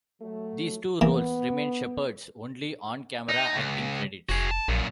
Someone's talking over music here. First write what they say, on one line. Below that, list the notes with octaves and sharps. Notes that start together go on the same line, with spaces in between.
These two roles remain Sheppard's only on-camera acting credits.
F#3 A3
E3 A#3 B3
D#4
C#2
F1 F#4 G#4
A5
A#1 F#2 A#2